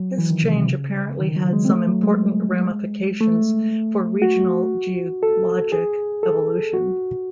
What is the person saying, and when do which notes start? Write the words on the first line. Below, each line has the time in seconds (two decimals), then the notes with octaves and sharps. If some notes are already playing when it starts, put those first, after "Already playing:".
This change apparently had some important ramifications for regional geologic evolution.
Already playing: F#3
0.18 E3
0.30 D#3
0.43 C3
0.56 C3
0.68 C#3
1.19 D#3
1.36 F#3
1.53 G#3
1.65 C4
1.69 A3
1.87 F#3
2.03 G#3
3.21 A3
4.22 F#4
5.23 A4
5.72 G#4
6.23 A4
6.73 F#4